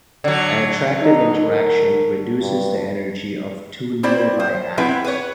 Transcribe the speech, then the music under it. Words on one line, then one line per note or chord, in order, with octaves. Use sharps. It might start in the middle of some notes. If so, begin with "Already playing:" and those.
An attractive interaction reduces the energy of two nearby atoms.
D3 F#3
D#4
A#4
G2
C4 E4 C5 D5
C5
B3 C4 E4 B4 E5
B4 C#5